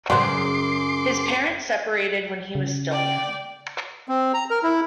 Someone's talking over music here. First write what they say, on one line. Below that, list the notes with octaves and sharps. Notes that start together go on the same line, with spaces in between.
His parents separated when he was still young.
F#2 C#3 F#4 B4 C5 C6 D6
C#3
D5 G5
C4
A#5
A#4
E4